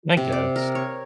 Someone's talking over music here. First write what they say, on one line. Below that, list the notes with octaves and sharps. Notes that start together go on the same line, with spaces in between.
I guess.
C3
D5
A#4
C#5